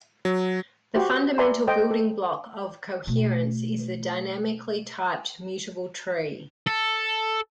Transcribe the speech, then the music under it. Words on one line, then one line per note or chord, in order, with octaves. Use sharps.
The fundamental building block of Coherence is the dynamically typed mutable tree.
F#3
F#4 G4 C5
B4 D5 E5 G#5 A#5 C6
A4 C5 D#5 G5
A4
B2 A3
A4